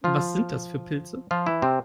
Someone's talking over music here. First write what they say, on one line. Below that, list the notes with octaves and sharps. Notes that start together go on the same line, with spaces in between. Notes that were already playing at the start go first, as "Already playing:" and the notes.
Was sind das für Pilze?
F3 F4
F3 F4
E3 E4
C3 C4